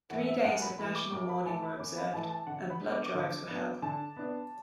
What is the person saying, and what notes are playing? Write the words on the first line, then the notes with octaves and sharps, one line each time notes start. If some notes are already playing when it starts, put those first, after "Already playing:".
Three days of national mourning were observed, and blood drives were held.
E3 A3 E4 F#5
E5
F#2 F#5
B5
E3 A3 E4 B5
D6
F#2 D6
B5
E3 A3 E4 A5
B5
F#2 D6
B5
E3 A3 E4 A5
A5
D3 F#5
B5
B3 D4
D6
D6
D3
B3 D4
D3 A5
B3 D4